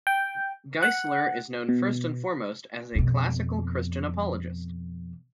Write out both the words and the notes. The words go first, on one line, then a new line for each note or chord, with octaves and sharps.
Geisler is known first and foremost as a classical Christian apologist.
G5
F#5
B2
F2 B2